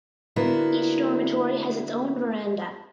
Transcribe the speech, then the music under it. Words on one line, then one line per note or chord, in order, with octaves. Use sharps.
Each dormitory has its own veranda.
D3 A#3 B3 E4 F#4